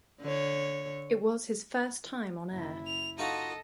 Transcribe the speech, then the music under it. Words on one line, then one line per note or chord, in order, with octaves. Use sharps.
It was his first time on air.
D3 C#5
F#1 E4
F7
D#4 F4 F#4 A4 D#5